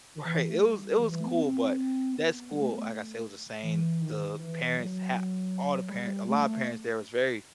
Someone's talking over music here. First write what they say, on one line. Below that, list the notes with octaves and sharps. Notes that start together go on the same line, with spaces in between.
Right. It was it was cool, but that school, like I said, it was insane. The parents had all the parent a lotta parents there was very
E3
A3
G3
E3
E3
A3
B3
C4
C4
B3
G3
A3
B3
A3
E3
D#3
E3
F#3
G3
A3